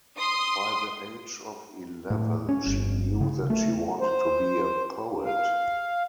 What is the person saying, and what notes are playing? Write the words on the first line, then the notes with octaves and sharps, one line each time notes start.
By the age of eleven, she knew that she wanted to be a poet.
C6 D#6
A2
C#4
G1
C#3
A3
C5
F5